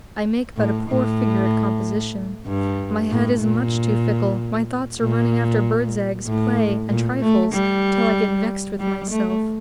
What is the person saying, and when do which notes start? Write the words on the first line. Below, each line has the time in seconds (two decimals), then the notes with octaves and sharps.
I make but a poor figure at composition, my head is much too fickle, my thoughts are running after birds' eggs, play and trifles till I get vexed with myself.
0.56 A2
0.89 A2
2.47 G2
3.11 A2
3.41 A#2
5.00 A#2
6.26 A2
6.90 A#2
7.21 A3
7.53 G3
8.80 G3
9.11 A3